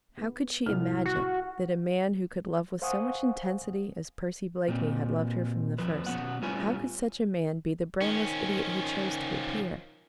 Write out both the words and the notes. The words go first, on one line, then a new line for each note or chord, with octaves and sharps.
How could she imagine that a man who could love with so much intensity as Percy Blakeney had loved her from the first--how could such a man be the brainless idiot he chose to appear?
B3
C2 A2 F6
F#4
C5 F5 F#5 G#5 C#6 D#6
A#2 C4
F2 F3 B4
B2 G3 B3 C#4 F#5
A2 G3 B3 C#4 F4 G#5
D#3 F3 C#4